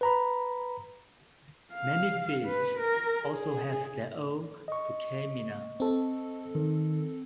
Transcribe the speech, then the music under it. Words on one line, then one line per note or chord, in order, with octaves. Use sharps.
Many feasts also have their own prokeimena.
B4 A#5 B5
F5
B4
A#4
G#4
D#5 C#6
C4 A4
D#3